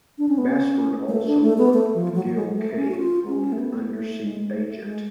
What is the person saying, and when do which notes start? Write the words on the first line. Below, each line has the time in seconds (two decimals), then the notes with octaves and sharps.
Bassford also worked with Gil Kane on "Undersea Agent".
0.18 D4
0.29 C#4
0.38 B3
0.48 C#4
1.08 G#3
1.12 A3
1.27 D4
1.43 A3
1.58 B3
1.74 A3
1.95 F3
2.15 F#3
2.25 F#3
2.36 G#3
2.56 A3
2.77 C#4
2.91 F#4
2.98 F4
3.28 C#4
3.52 A3
3.59 B3
3.90 A3
4.21 G#3
4.52 A3
4.83 G#3